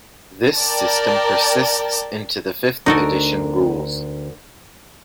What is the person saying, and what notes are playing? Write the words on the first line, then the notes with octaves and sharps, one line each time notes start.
This system persists into the fifth edition rules.
A#4 D5 G5 A5
D2 D4 D#4 F#4 A4 A#4